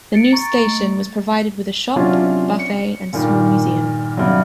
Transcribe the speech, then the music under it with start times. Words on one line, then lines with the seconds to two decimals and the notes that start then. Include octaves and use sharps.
The new station was provided with a shop, buffet and small museum.
0.14 A6 C#7 D7
0.33 A#5 C#6 A6
0.63 A3
1.96 C3 F#3 C#4 D4 F4
2.59 C#7
3.13 G2 A#2 D#3
4.17 G2 C3 F#3